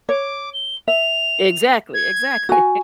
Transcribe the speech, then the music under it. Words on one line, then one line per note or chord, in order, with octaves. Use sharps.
Exactly, exactly.
C#5 D6
G7
E5 F7
G#6
F#4 G#5